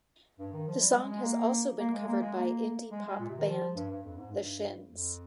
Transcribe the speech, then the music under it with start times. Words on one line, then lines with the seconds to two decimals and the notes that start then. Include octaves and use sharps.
The song has also been covered by indie pop band, The Shins.
0.39 G2
0.53 D#3
0.67 F3
0.81 G3
0.95 G#3
1.09 G#3
1.23 A#3
1.79 A#3
1.93 G#3
2.07 A#3
2.21 G#3
2.36 A#3
2.91 G#3
3.06 G#3
3.19 A#2
3.29 C3
3.38 D#3
3.48 F3
3.75 G2
3.90 G2
4.04 F2
4.17 G#2
4.31 G2
4.89 F2